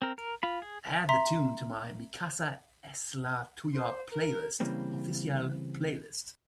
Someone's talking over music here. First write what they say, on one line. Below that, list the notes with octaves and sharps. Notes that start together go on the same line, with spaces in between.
Add the tune to my Mi Casa Es La Tuya Playlist Oficial playlist.
C4 A#4
A#4
F4 B5
G#4
E5 A#5 C6 B6
C5
A#4
C#3 E3 G3 A#3 C4